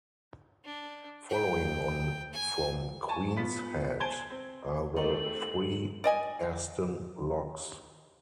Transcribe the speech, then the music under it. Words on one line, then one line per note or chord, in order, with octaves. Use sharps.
Following on from Queen's Head are the three Aston Locks.
D4
G5
G#5
G#5 A5 C#6
B3 F4 B6
C5 G#5 A5 G#6 D7 G7
C4
G#3 A3 C4 D#4 A4 D#5 F#7
D5 D#5 G#5